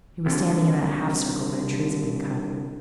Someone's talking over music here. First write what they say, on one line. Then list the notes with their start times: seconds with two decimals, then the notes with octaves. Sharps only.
He was standing in that half-circle where the trees have been cut.
0.26 C2 D3